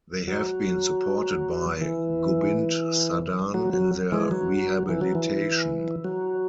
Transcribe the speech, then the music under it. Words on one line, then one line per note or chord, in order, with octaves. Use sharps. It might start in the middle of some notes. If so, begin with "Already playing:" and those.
They have been supported by Gobind Sadan in their rehabilitation.
F#3
E3
F#3
F#3
E3 G#3
F#3
E3
F#3
E3
F#3